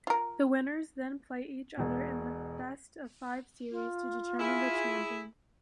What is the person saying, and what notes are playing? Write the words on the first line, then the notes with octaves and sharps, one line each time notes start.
The winners then play each other in a best-of-five series to determine the champion.
F4 A#4
E1 B2
F4
E4 G#4